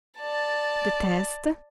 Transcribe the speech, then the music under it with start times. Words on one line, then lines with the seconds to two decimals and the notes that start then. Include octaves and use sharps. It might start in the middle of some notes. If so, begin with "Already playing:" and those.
"The test?"
0.20 D5 A5